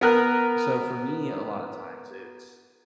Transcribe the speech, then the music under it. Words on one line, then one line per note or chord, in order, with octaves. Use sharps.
So for me, a lotta times, it's
B3 A#4 F#6